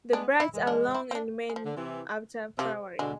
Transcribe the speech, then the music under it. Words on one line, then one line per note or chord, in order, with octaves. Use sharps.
The bracts are long and remain after flowering.
G#3 B3 D4
E4
E3 G#3
D4
E4
C4
D4
G#3
F3
D3
C3 E3
C3 F3
B2 D3 G#3